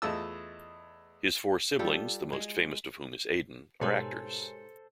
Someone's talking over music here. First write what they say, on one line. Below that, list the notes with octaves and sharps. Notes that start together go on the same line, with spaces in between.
His four siblings, the most famous of whom is Aidan, are actors.
E2 A3 F4 D#5 A5 E6
G3 F4 A4
G#3
G#2 B2 G#3 G4 A4 A#4 C5 C#5